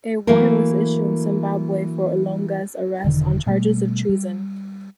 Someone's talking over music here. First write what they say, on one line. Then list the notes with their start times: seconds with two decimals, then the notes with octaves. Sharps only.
A warrant was issued in Zimbabwe for Olonga's arrest on charges of treason.
0.27 E3 F#3 A3 A#3 A#4
3.04 E1 D3 D#3
3.47 B2 G3 A3
4.09 G3